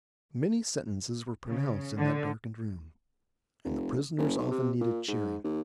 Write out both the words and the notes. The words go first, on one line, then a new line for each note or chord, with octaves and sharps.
Many sentences were pronounced in that darkened room, and the prisoners often needed cheering.
C#3
D3
F1
F#1
B1
C3
A#2
G#2
D#2